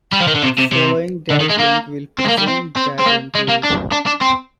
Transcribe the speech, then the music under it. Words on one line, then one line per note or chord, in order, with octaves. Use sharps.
Following that link will present that entry.
G3
F3
D#3
D3
C3
C3
C3
D3
D#3
G#3
A#3
C4
G#3
A#3
G3
C4
C4
C4
A#3
G#3
A#3
D4
D4
D4
C4